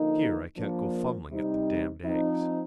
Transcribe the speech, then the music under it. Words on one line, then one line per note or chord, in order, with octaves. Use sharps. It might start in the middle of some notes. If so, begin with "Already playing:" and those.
Here, I can't go fumbling at the damned eggs.
Already playing: D3 F3 A#3 D#4
F3 A#3 D4
C3 G3 C4 D#4
F3 C4 D#4